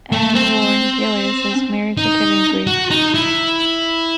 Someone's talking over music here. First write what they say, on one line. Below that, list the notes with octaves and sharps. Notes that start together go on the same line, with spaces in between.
Anne Lorne Gillies is married to Kevin Bree.
A3
C4
D#4
F#4
D#4
E4